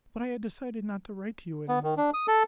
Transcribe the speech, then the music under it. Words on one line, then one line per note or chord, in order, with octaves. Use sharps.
But I had decided not to write to you any more.
B3
D#3
D4
D#6
A4